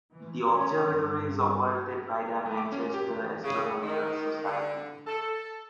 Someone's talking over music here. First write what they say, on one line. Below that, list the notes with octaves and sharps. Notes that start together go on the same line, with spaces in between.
The observatory is operated by the Manchester Astronomical Society.
E3
C#4
G2
A#3
A3
D6
C#4
G4
A3
C#3
D#3
D3
A4